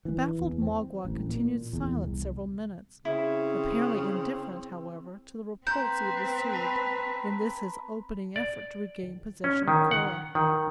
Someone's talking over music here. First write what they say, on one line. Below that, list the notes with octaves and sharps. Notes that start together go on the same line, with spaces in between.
The baffled Magua continued silent several minutes, apparently indifferent, however, to the repulse he had received in this his opening effort to regain possession of Cora.
E3
E2
C4
A1
A#2
E2
C2
C#3 C4 E4
C4 B4 A#5 C6 G6
A5 B5
D5
C#4
D#3
F#5
D#3